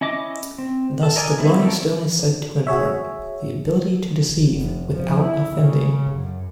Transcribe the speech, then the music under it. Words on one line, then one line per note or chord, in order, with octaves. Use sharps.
Thus the Blarney Stone is said to impart "the ability to deceive without offending".
C#4 E4 D#5 D6
C4
A4
A#4 D5 D#5 G#5
G3 B3 C4 D#4 E4
A3 C4 C#4 A4 A#4
F#4 G#4 C#5 E5
F1
F3
E4
C#3
F#2